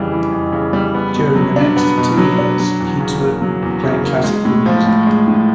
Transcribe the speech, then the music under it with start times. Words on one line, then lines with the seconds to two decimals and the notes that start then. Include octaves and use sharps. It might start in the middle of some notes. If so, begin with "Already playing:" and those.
During the next two years, he toured playing classical music.
Already playing: F2 C#3 E3 G3
0.12 E3
0.32 F2
0.52 C#3
0.73 G3
0.94 B3
1.15 B2
1.36 F#3
1.56 D4
1.76 B3
1.97 B2
2.18 F#3
2.39 D4
2.60 F#3
2.80 E2
3.00 C#3
3.21 A#3
3.42 F#3
3.62 E2
3.83 C#3
4.04 A#3
4.24 G#3
4.45 A2
4.66 F3
4.86 A2
5.07 G#3
5.28 A2